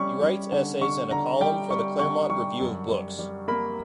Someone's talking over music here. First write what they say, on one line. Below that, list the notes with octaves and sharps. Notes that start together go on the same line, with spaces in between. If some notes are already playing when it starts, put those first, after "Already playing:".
He writes essays and a column for the "Claremont Review of Books".
Already playing: G3 C#4 C#6
G3
D3
D3 C#6
D3 A#5
G3 G5
G3 C#6
D3 C#6
G3 C#6
F#2
G3
G3
A#3 B5